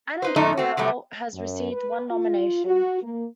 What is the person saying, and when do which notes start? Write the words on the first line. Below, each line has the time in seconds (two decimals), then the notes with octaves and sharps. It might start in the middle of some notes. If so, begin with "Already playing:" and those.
Ana Gabriel has received one nomination.
0.22 D#4 B4 C5
0.36 F#2 A#2 D#3 A3 D#4
0.57 A3 C4 F#4
0.77 C3 F#3 G3 A3
1.33 F#2
1.72 B4
2.10 F4
2.65 F#4
3.02 A#3